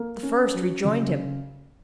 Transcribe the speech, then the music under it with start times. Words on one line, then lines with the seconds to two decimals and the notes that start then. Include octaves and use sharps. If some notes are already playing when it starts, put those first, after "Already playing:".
The first rejoined him.
Already playing: A#3
0.23 C#4
0.54 F#3
0.85 C#3